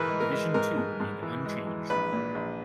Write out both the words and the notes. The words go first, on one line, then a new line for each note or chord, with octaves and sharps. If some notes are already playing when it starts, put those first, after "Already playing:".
Division Two remained unchanged.
Already playing: G#2 E3 G#4 A#4 B4
G#3
A#4
G#3
G#2 A#4
G#2
G#2
E3
G#3
E3
A#1 B4
A#2
A#1